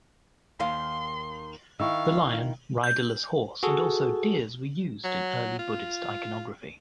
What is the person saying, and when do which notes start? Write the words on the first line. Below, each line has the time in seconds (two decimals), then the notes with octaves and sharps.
The lion, riderless horse and also deers were also used in early Buddhist iconography.
0.60 D#2 D#3 F5 C6
1.80 D#3 E4 F5 C#6 E6
2.84 G6
3.63 F#4 G#4 A4
5.04 F#3
5.59 F4